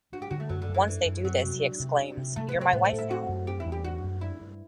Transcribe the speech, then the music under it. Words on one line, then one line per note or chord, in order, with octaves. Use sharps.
Once they do this he exclaims, You're my wife now!
D4 F#4
G4
D3 F#4
A3
F#2 F#3
D3
F#2
E3
E3 D4
F#2
F#3 C4
C3
D4
C3
D4
C3
C3 A3
B3
C3
C4
A2 B3
A3
A2
E4
C4 F#4
F#2
C4 G4
E4
E2
G4
D4 F#4
F#2
D4 E4
G2